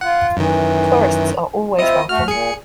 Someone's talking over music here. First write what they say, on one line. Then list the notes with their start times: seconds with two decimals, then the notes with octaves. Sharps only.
Tourists are always welcome.
0.01 F4 F#5
0.37 F#2 D#3 E3
1.79 C4 E4 F4 D#5 D#6
2.09 A3 F#4 F6
2.28 A#2 G#4 C#7